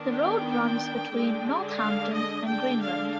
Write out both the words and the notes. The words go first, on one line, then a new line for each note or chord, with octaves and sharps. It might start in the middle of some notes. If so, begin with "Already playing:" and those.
The road runs between North Hampton and Greenland.
Already playing: D#3 B3 D4
G5
D3 G#3 D4
F5
D#5
D3 G#3 D4 G5
F5